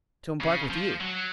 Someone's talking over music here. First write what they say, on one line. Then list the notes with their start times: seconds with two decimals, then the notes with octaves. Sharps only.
"To embark with you."
0.41 C#3
0.70 F3
1.01 F#3